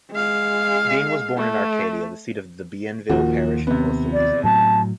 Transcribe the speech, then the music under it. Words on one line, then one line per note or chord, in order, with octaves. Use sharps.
Dean was born in Arcadia, the seat of Bienville Parish in north Louisiana.
G#3 F5
A3
D#2 A#2 F3 F#4
C3 B3
D5
A2 F#3 A5